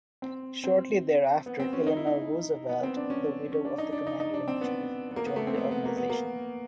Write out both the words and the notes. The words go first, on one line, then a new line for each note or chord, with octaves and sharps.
Shortly thereafter, Eleanor Roosevelt, the widow of the Commander-in-Chief, joined the organization.
C4
C4
B3
C4
C#4
D#4
E4
D#4
B3
C4
D4
C#4
C#4
D4
D#4
D4
D#4
D#4
D4
C4
B3
B3
A#3
B3
A3
C4
B3
B3
A#3
B3
A#3